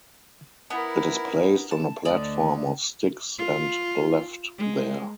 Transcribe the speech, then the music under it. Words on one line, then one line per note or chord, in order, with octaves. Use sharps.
It is placed on a platform of sticks and left there.
B3 E4 A#4
A5
D2 D3 D5 D#5
F4
G#3